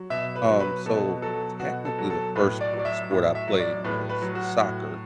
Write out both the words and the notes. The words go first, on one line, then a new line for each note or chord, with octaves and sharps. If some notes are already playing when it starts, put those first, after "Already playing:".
Um, so, technically, the first sp sport I played was soccer,
Already playing: F#3
B2 E5
B4
F#3
B4
B2 A4
F#3 A4
B2 F#4
A4
F#3
A4
A2 B4
D5
F#3
D5
E5
A2
E5
F#3
D5
A2 B4
B4
F#3
F#4
A2